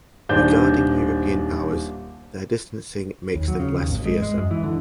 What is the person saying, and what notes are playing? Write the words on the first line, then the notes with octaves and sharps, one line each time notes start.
Regarding European powers, their distancing makes them less fearsome.
D#1 D#3 D4 C5 G6
D#2
F#3
C#3
D#2
G#1
G#3
G#3
F#2
E3
D3